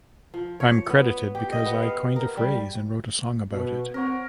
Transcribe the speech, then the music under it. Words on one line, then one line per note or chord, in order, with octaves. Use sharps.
I'm credited because I coined a phrase and wrote a song about it.
F3
C#5
B3
G4
D#5
B3
F5
A#4
G3
B2
C4 A#4 C#5 F#5